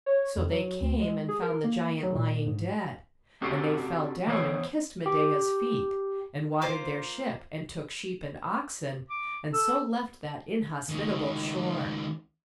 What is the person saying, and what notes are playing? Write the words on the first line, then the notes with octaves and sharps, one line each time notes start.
So they came, and found the giant lying dead; and they fell down, and kissed Medeia's feet; and watered their ship, and took sheep and oxen, and so left that inhospitable shore.
C#5
F2
F#3
D2
G#3
G#4
A#4
A#3
F#3
A#2
G#2
C4 C#4 F#4 G4 A4
E3 B3 C5 C#5
G4
A#3 F4 C5
D6
A4 E6
C#2 D#3